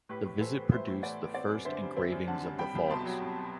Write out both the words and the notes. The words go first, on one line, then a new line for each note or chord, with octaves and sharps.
The visit produced the first engravings of the falls.
A2 G4 B4
A2
E3 A4 C5
B3
A2 C5 E5
A2
E3 D5 F#5
B3
C4 D5 F#5
F#2
D3 C5 E5
G3
C4 C5 E5
F#2
D3 F#5 A5
G3
C2 G5 B5
C2
B2 A5 C6
F#3
C2